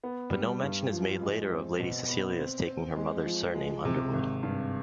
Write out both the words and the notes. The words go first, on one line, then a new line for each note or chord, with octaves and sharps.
But no mention is made later of Lady Cecilia's taking her mother's surname Underwood.
B3
G3
G2
F3
G#3
C4
B2
B3
C4
C4
G#3
F3
G#3
C3
G#1
G2